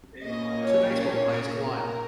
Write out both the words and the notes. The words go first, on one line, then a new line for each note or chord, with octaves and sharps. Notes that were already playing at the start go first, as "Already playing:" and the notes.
Two baseball players collide.
A#2 A#3 C#4 D#5
C#5
C#5
A#4